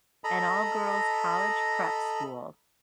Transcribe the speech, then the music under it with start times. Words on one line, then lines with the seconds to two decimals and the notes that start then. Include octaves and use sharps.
an all-girls college prep school
0.24 A4 D#5 A#5 B5